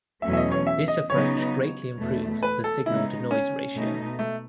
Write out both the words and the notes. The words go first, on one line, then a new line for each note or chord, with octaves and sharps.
This approach greatly improves the signal-to-noise ratio.
E2 B2 F#3 A3 C#4 E5
E5
D#5
C#5
E5
D#5
C#3 F#3 B3 D#4 C#5
E2 B2 A3
B4
A4
C#3 G#3 B3 D#4 E4
C#4
B2 A3 D#4
A3